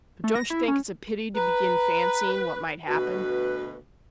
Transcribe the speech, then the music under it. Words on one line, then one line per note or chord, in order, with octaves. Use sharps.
"But don't you think it's a pity to begin fancying what might happen?"
A3
A#6
E4
C#4
B4 A#5
D2 B2 F#4 B4